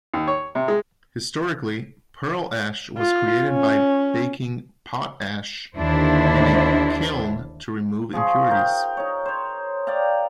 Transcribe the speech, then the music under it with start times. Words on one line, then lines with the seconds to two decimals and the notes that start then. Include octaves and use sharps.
Historically, pearl ash was created by baking potash in a kiln to remove impurities.
0.14 D#2
0.27 C#5
0.55 C3
0.68 G#3
2.98 F4
3.47 C#4
5.77 D#2 D3 D#3 D4 E4 C5
8.13 F3 G#4 C#6
8.50 D#4 A#4 G5
8.97 D#4 C#5
9.25 C5 C#5
9.87 D5 F5 G5 A#5